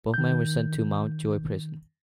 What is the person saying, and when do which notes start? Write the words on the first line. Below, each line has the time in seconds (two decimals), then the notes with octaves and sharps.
Both men were sent to Mountjoy Prison.
0.14 D#3 G6